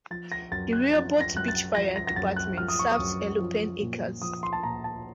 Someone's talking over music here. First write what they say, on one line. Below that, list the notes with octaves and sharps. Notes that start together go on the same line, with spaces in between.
The Rehoboth Beach Fire Department serves Henlopen Acres.
F3 A6
A#6
F#2 A6
F#6
F3 A6
A#6
F#2 F#6
A6
F3 A#6
A#6
A#6
F#2 A6
F#6
F3 F6
D#6
C#6
D#6
F#2
F3
A#2
F3 D#6
C6
A5
A#2 A#5
A5